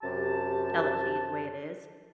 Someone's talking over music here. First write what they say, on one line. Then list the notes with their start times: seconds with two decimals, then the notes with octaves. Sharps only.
tell it to you the way it is.
0.03 F#2 C3 G4 A5